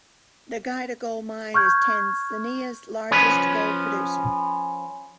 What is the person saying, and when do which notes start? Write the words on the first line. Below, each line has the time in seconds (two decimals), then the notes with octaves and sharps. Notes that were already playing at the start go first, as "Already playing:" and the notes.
The Geita Gold Mine is Tanzania's largest gold producer.
1.54 C#6 F6 G6 G#6
3.11 F3 C#4 B4